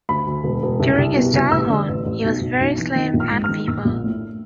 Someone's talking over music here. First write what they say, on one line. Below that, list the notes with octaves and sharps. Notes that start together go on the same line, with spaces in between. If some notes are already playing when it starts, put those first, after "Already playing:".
During his childhood he was very slim and feeble.
D2 B5
D2
E1
E1
C2
C2
B2
C2
A1 E6
D3
A1
A1
B1
B1
B1
E3
D#3
A#1
F6
G#2
F6
D#3
A#1 E6
A#1
A2